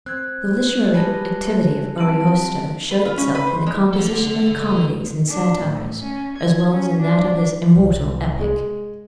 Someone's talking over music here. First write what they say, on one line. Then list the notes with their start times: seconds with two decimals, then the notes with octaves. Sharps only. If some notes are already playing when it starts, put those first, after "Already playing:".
The literary activity of Ariosto showed itself in the composition of comedies and satires, as well as in that of his immortal epic.
0.06 C4 F#6 G#6
0.94 G3 G#3 B4 G#5 A5 A#6
1.98 F#3 C4 A5 D7 F#7
2.91 B4
3.05 F4
3.18 C#4
3.35 B4
3.47 C5
3.66 G#3
3.93 A4 F#5
5.28 D4
5.63 A2
6.00 C#4
6.38 G#6
6.73 C#4
7.01 D4
7.76 C2
8.39 G#3